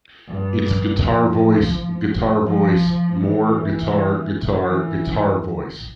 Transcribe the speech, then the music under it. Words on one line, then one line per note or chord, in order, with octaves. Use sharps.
It's guitar-voice, guitar-voice, more guitar-guitar-guitar-voice.
G2
F3
F3
E3
E3